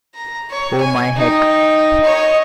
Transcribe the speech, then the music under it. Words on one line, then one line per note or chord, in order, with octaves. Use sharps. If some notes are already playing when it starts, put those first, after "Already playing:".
Oh my Heck!
A#5
C#5
G#5
D#4 G5
C#5 D#5